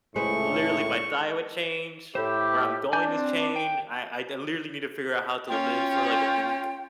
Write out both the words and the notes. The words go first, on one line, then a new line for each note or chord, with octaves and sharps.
Literally, my diet would change, where I'm going is change. I I literally need to figure out how to live for, like, a week,
C#2 A2 G#3 B4 C5 C#6
A2 E4 G4 C5
D4 D5 G#5 G6
C4
G5
C#4 F4 G5